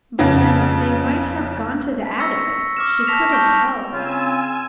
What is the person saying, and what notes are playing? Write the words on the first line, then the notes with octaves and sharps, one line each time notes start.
But then they might have gone to the attic--she couldn't tell.
F2 C#3
B6
C#6 E6 A#6 C#7
D6 F6 E7
A5 C#6 A#6 B6 E7 F7
A5 C#6 G6 D7
C#3 C4 F4 G#5 E6